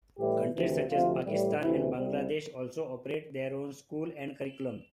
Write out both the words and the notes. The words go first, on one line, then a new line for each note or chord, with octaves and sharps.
Countries such as Pakistan and Bangladesh also operate their own schools and curriculum.
A2 E3 G3 G4
D2 C3 E3
D2 C3 F3 F4
A2 E3 G3
D2 C3 E3 E4
C2 C3 G3 C4